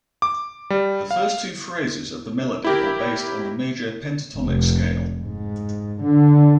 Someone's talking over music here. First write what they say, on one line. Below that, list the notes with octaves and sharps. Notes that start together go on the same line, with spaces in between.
The first two phrases of the melody are based on the major pentatonic scale.
D6
G3
F5
E4 G4 A#4
F1
G#2
D3